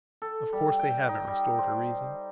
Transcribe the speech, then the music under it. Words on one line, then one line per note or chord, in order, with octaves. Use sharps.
Of course, they haven't restored her reason.
A4
G3
G5
D#4
G3
C5